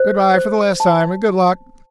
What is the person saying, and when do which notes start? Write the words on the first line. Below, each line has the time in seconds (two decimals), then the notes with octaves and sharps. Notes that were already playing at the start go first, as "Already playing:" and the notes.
"Good-by for the last time, and good luck."
Already playing: C5
0.35 C5
0.80 A5